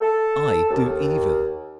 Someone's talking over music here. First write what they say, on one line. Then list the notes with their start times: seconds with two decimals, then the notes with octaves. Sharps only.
I, do evil!
0.01 A4
0.70 D#2